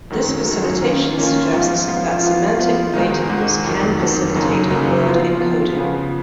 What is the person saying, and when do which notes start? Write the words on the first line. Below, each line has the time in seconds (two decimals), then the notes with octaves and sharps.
This facilitation suggests that semantic relatedness can facilitate word encoding.
0.10 F#2 D#3 F#3
0.47 F#2 D#3 F#3
0.82 D#3 A#3 C#4 F4
1.18 D#3 A#3 C#4 F4
1.52 G#2 F3 B3 F4
1.87 G#2 F3 B3 F4
2.23 F3 B3 F4
2.59 F3 B3 F4
2.93 G#2 D#3 G#3 D#4
3.29 G#2 D#3 G#3 D#4
3.64 F2 D#3 F#3
4.00 F2 D#3 F#3
4.35 F#2 C#3 F#3 A#3 D#4
4.70 F#2 C#3 F#3 A#3 D#4
5.06 F3 B3 F4
5.40 F3 B3 F4
5.76 C#3 F3 B3